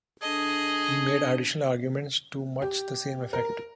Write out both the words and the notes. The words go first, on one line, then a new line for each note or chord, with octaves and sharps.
He made additional arguments to much the same effect.
D4 G#4 A4 D#5 A5
G4
A#4